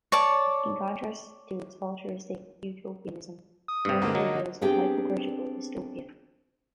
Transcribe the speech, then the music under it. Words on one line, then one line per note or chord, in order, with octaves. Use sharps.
In contrast to its altruistic utopianism, Manley reveals a hypocritical dystopia.
C#5 D5 A5
D#6
G2 C3
D3 A#3 F#4
F#3 D#4
B3 C4 D4 G4 G#4 G5